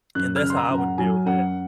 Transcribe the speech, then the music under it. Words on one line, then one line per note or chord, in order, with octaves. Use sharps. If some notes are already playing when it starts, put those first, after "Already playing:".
and that's how I would deal with that.
F#2 F#6
F6
C#3
C6
A#5
F#2
F#5
F#3 G#5
F#2 F#5